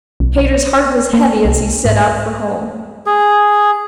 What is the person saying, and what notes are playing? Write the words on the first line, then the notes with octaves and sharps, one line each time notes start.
Peter's heart was heavy as he set out for home.
B1
A#3
C2
G#2
G#4